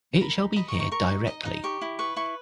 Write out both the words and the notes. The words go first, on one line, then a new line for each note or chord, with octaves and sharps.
It shall be here directly.
A#4 B5
D#4
D#5 B5
C#6
D#4
C#6
A#4 C#6
D#4
D#5 D#6
D#4
G4 C#6
E4
B4 C#6
E4 C#6